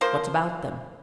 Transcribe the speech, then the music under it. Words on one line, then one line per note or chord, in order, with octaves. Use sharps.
"What about them?"
F3 A#3 C5